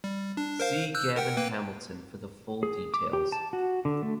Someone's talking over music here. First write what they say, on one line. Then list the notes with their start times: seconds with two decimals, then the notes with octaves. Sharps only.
See Gavin Hamilton for the full details.
0.04 G3
0.37 D4
0.60 A#4 C5 F5
0.95 E6 F#6 G6
1.16 A#4 F#5 G5
1.37 A#3 B4 G5
2.63 G#4
2.94 D6
3.13 G4
3.32 A5
3.53 F#4
3.85 D3
4.03 A3